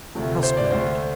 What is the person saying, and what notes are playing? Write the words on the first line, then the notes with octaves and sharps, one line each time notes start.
"How splendid!"
D2 C3 F3 A3
C5
D5
D2 D3 A3 C5